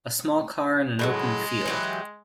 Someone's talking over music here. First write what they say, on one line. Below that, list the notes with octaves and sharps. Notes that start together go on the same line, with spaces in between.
A small car in an open field.
A2 C#3 F#3 G#3
E3 F#3 G4